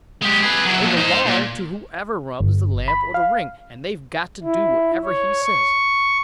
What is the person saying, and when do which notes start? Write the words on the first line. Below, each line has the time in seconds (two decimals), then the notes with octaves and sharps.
They belong to whoever rubs the lamp or the ring, and they've got to do whatever he says.
0.22 G#3 G4
0.43 G#4 B4
0.66 F#3 E4
0.81 A#2 F3
0.97 D#4 C5
1.26 A#2
2.41 G1
2.88 B5
3.14 F5
4.44 E4
5.05 C#5
5.44 C#6